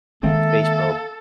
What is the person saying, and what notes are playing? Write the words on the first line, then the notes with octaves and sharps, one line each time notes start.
space probe,
D#3 G#3 A#3 C4 A4 E5